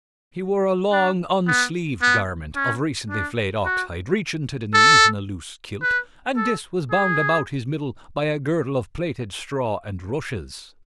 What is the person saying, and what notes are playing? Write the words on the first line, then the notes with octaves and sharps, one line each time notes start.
He wore a long unsleeved garment of recently flayed oxhide reaching to the knees in a loose kilt and this was bound about his middle by a girdle of plaited straw and rushes.
D4
B3
B3
C#4
D4
F#4
A4
B4
A4
G#4